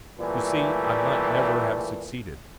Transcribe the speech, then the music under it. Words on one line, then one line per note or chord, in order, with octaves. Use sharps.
You see, I might never have succeeded.
A#2 E3 G3 A3